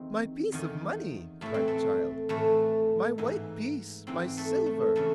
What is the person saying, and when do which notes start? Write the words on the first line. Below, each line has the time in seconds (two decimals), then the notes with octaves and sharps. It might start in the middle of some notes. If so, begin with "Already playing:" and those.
"My piece of money!" cried the child, "my white piece! my silver!"
Already playing: E2 D#3 C4
0.52 E2 D#3
1.41 A2 E3 A3
1.54 C4
1.68 A3
2.29 A2 E3 A3
3.18 G#2 E3
4.07 G#2 E3 C4
4.37 A3
4.66 A3
4.96 C#3 E3 A3